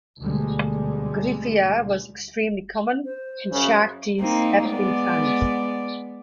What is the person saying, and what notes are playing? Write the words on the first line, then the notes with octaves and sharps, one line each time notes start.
"Gryphaea" was extremely common, and shark teeth have been found.
D2 B2 D3 G3 G#3
C5
F#2 C#3
A#3 C4 D#4
G#3 B3 D5